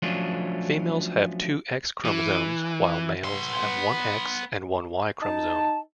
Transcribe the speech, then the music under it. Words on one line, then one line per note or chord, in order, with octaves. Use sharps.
Females have two X chromosomes, while males have one X and one Y chromosome.
F3 F#3 A3 C#4 D4 F4
E3
B3 C6
D#4 A5